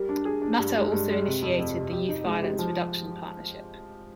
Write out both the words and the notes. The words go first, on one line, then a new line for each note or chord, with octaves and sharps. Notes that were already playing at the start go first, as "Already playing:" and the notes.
Nutter also initiated the Youth Violence Reduction Partnership.
Already playing: G3 A#4
D4
G#4
D4
G2
G#3
G2
G#3
C3
F2
F2
C3
G4
D#4
G#3
G4
F3